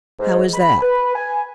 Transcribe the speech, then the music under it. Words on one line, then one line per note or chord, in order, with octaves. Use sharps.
"How is that?"
G#2
B5
B4
G#5